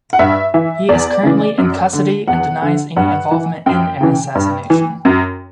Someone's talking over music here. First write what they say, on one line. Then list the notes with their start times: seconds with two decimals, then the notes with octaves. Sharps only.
He is currently in custody and denies any involvement in an assassination.
0.13 F#5
0.19 G2 E5
0.54 E3 E5
0.89 E2 D5
1.23 C#3 E3
1.58 F#2
1.93 D3
2.28 E2 F#5
2.62 D3
2.96 G2 F#5
3.31 E3
3.66 F#2 G5
4.01 C#3 E3
4.35 G2
4.70 E3
5.05 F#2